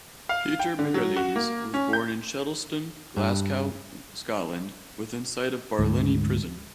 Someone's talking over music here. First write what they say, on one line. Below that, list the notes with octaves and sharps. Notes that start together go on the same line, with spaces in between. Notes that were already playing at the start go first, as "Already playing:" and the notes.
Peter McAleese was born in Shettleston, Glasgow, Scotland, within sight of Barlinnie Prison.
F5
G5
D3
F#3
F#4
A#3
C#4
G6
G2
D2 G#2